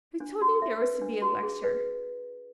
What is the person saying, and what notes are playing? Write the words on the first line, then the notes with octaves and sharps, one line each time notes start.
"Who told you there was to be a lecture?"
D4
F#4
E5
B4
D4
F#4
G#4
B4